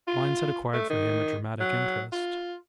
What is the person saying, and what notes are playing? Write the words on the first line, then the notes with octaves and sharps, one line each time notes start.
Mines had acquired for him a dramatic interest.
F4
A3
D#3
F#3
F4